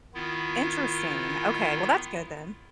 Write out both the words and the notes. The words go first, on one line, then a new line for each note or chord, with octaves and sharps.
Interesting. Okay. Well, that's good then.
D#3 B3 E4 F4